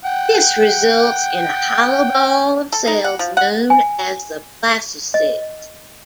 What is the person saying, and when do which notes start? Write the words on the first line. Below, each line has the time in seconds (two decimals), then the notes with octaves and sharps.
This results in a hollow ball of cells known as the blastocyst.
0.05 F#5 G5
2.73 A4
2.87 D#4
3.04 F#5
3.19 F3
3.37 F#5
3.70 G#5
5.14 D#5